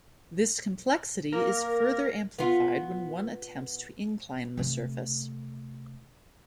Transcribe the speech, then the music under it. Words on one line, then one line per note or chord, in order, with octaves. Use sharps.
This complexity is further amplified when one attempts to incline the surface.
A#3 A#4
B3 F4
C3 A3